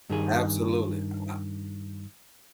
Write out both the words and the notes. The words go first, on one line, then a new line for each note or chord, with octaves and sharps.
Absolutely, I
G2 D#3 G#4